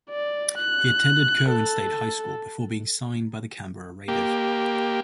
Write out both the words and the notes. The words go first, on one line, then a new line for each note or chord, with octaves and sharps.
He attended Kirwan State High School before being signed by the Canberra Raiders.
D5
F#6
A4
A#3 G4